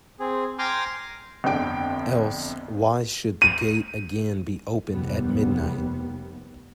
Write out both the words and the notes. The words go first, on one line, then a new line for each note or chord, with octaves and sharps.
Else why should the gate again be open at midnight?
C4 G#4
G5 G#5 A#5 C6 D6 F6
G1 F2 D3 G5 D7
D#7
F1 D#2 C3 G3 B3